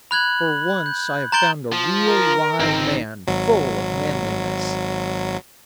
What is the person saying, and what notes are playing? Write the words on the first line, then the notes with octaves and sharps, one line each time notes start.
For once I have found a real live man, full of manliness.
B5 F#6 G#6 F#7
G6
A#5 C6 G6 A6 D7 G7
F3
A#4
G#1 C#2 C4 D#4 A#6
G#1 F#3